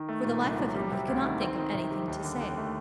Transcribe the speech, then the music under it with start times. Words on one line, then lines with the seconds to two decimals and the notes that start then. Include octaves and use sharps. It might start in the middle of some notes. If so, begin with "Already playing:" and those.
For the life of him he could not think of anything to say.
Already playing: D#3
0.09 A3
0.25 A#2
0.41 C2
0.58 F#3
0.75 G3
0.91 C3
1.08 D2
1.24 D#3
1.41 C4
1.58 D#3
1.74 C3
1.91 G3
2.08 D#2
2.24 D3
2.41 D#2
2.57 A3